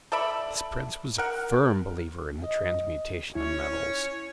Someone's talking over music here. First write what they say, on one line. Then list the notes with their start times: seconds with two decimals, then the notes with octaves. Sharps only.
This prince was a firm believer in the transmutation of metals.
0.12 A4 D5 E5 B5
1.18 A#4 F#5
2.44 D#5
3.35 C#4 E4 C#5